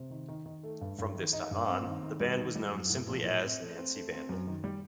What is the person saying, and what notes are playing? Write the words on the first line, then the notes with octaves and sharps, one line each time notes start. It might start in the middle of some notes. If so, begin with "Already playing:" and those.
From this time on, the band was known simply as Nancy Vandal.
Already playing: C3
D#3
D#3
D#3
A3
G2
G2
D#3
D#4
G2
C4
D#3
D#3
G3
D#3
G3
F#2
A2
A#1
A2
C4
A3
C4
A3
C4
F#2
D#3
G3